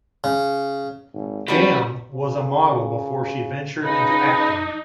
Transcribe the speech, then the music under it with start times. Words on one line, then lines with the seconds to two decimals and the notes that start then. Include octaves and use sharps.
Gam was a model before she ventured into acting.
0.24 C#3
1.14 G#1
1.48 E2 F#3 G3 C#4 G4 B5
2.12 C#3
3.84 C#3 D#4 B4